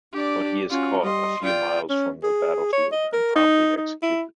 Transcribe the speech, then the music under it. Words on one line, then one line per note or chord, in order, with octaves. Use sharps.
But he is caught a few miles from the battlefield and promptly executed.
D4 G4 D5
C#4 F4 F#4
G3 D#5 C6
F4 D5 G5
C#4
G#4
C#5
D#5
A#4
D#4
D#4
E4